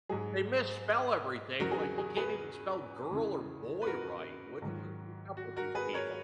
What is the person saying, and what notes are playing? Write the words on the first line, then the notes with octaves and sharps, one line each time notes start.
They misspell everything, like, you can't even spell "girl" or "boy" right, what do wha what's up with these people?
G#2 F#3 G#4
E2 C#3 F#3 F#4 A#4
G#4
F#4
G#4
G#4 B4
E2 C#3 E3
B4
F#4 A#4
G#2 D#3 F#3
F#4
F#4 A#4
G#4 B4
A#4 C#5